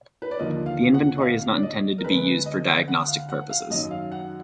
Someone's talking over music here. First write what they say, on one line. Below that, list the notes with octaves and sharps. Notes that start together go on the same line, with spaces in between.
The inventory is not intended to be used for diagnostic purposes.
B4
D5
D#2 D3 F3 A#3 D#5
F5
F#5
D#5
F5
D5
D#5
A#4
D2 D3 G#3 B3 B4
D#5
F#5
F5
F#5
F5
F#2 D#3 F#3 D#5
F5
F#5